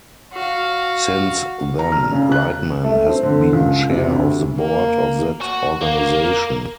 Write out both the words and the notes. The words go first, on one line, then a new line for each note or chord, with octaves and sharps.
Since then, Lightman has been chair of the board of that organization.
F#4 F5
A#5
F6
C#3
F#6
A3
C4
D3
C#2
C3
D2
A#3
F#4
A#3